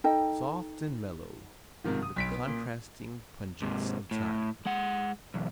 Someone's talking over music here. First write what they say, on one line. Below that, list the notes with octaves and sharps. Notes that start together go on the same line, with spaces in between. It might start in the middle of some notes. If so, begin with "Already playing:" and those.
Soft and mellow, with the contrasting pungence of thyme.
D#4 A4 D#5 G5
G#2 C3 D#3 F3
D#6
B1 B6 D7
B3
A#2
G#2 C3
A2
G#3 F#5
B1 E2